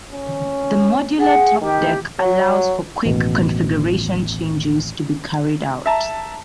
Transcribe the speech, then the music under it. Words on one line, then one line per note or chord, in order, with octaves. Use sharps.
The modular top deck allows for quick configuration changes to be carried out.
C#4
G#4 F#5
D#3 G4
F#3
A1 D#2 B2
E5 A5 A#5